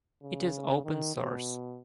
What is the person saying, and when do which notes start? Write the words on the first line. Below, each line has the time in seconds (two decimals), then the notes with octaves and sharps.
It is open source.
0.23 C#3
0.84 D#3
1.15 B2